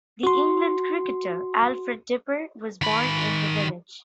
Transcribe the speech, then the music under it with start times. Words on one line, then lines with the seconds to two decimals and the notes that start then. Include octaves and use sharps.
The England cricketer Alfred Dipper was born in the village.
0.23 F#4 C6
2.82 D#3 B5